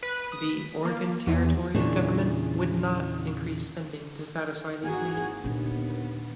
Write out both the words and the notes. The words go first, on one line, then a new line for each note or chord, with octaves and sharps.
The Oregon Territory government would not increase spending to satisfy these needs.
B4
D#6
B6
A#3
E2
E2 A#2 C#3 D4 C#5
G#1 A#3 F#4 G#4
D#2 A#2 D3 B3